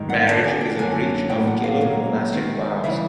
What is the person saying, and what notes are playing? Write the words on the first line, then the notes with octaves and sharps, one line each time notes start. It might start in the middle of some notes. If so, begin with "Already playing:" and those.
Marriage is a breach of Gelug monastic vows.
Already playing: G#2 D#3 G3
F#5
F#2 D3 F3 A5
G#5
G5
F#2 D3 F#3 A#3 C#4 G#5
A2 F#3 A#3 G5
F#5
F5
A#2 F#3 A#3 C#4
D#3 G#3 C4
C#3 E3 G3 E5